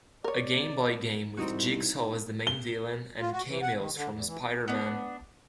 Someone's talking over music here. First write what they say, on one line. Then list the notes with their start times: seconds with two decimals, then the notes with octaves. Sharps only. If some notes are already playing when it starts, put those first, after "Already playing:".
A Game Boy game with Jigsaw as the main villain and cameos from Spider-man.
0.24 A#4 C#5 D5
1.37 C2 C4 D#4 F#4
2.47 G7
3.20 F4
3.32 F#4
3.48 E3
3.62 F#5
3.78 D#3
3.95 D3
4.11 E2
4.26 E3
4.68 B3 D4